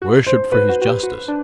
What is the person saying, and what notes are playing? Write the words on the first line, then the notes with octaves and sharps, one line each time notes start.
Worshipped for his justice!
F#4
C5
F#4 B4
F#4
F#4
G4
F#4
D4